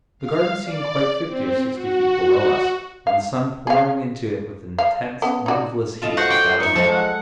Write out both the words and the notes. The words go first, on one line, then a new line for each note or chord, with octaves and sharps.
The garden seemed quite fifty or sixty feet below us, and the sun pouring into it with an intense, moveless heat like that of an oven.
F5
D5
C4
F#4
F5
G#4 F5
F5
B3 C#4
D#4 F#4 D5
F4 A4 D#5
F#4 C5 F#5
D5 G5 C6
D#4 E4 C#6
F3 G#3 A4 F5
F#5